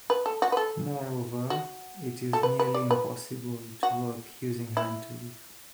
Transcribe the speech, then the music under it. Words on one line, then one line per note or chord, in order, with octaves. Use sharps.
Moreover, it is nearly impossible to work using hand tools.
B4
A4
F#4
B4
A4
F#4
A4
B4
B4
D5
B4
F#4
E4